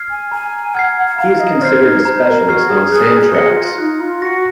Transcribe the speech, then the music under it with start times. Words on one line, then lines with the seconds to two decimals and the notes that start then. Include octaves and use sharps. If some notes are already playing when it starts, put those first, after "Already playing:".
He is considered a specialist on sand tracks.
Already playing: F6 G#6 C7
0.10 G#5
0.32 G#5 A#5
0.74 F#5 F6 G#6 C7
1.07 F#5
1.18 F5 A#5
1.40 D#5
1.62 C5 F6 G#6 C7
1.83 D#4
2.05 C5 A#5
2.27 A#4
2.49 F#4 F6 G#6 C7
2.70 G#4
2.92 G#4 F#6
3.20 G#4
3.35 A#6 C#7
3.50 F4
3.78 D#4 F#6
4.00 F4
4.22 F#4 A#6 C#7